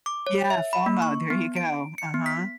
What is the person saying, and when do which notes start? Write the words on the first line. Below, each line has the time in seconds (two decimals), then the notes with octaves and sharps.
Yeah, FOMO, there you go, uh-huh.
0.06 D6
0.27 C#5
0.50 E5
0.73 B5
0.86 A#3
1.02 C#6
1.30 B3
1.56 D7
1.98 C#7
2.14 B3
2.26 B6